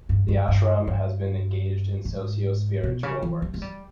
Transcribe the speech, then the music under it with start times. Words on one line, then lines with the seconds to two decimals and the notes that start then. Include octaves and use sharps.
The ashram has been engaged in socio-spiritual works.
0.09 G2
0.28 G2
0.48 G2
0.87 G2
2.05 G#2
2.83 B2
3.03 C#3
3.22 E3
3.42 G3
3.54 G#3
3.62 G3